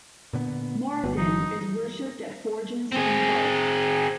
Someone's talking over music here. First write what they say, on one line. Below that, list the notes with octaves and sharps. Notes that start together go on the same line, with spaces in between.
Moradin is worshipped at forges and hearths.
A#2 D3 B3
G1 B3 F#4
E3 F#3 D#4
C4 G#4